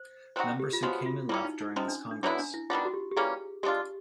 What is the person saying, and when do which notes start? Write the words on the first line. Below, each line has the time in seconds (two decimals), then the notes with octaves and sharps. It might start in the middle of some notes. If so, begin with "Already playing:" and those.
Members who came and left during this Congress.
Already playing: C5
0.36 G3 C4 D#4 F#4 C5
0.59 G4
0.73 F4
0.83 C#3 F3 G#3 B3 F#4
1.02 F#4
1.06 F4
1.29 G3 A#3 C#4 E4
1.45 D#4
1.61 D#4
1.76 C3 F3 G#3 C#4
1.88 D4
2.11 D4
2.23 D3 F#3 B3 D4 E4
2.39 D4
2.54 E4
2.70 D#3 G3 B3 D4 F4
2.85 F#4
2.94 G4
3.11 G4
3.16 E3 G3 A#3 C#4 G#4
3.63 G#3 B3 D4 F4 G4